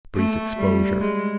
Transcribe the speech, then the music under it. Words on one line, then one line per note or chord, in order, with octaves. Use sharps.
Brief exposure.
A3
G3
G#3